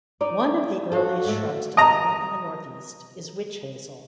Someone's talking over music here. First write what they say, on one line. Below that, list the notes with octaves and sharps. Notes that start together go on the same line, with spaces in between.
One of the earliest shrubs to bloom in the Northeast is witch hazel.
D#4 D5
F4 F#4 A4
G#2 A3
D#5 A#5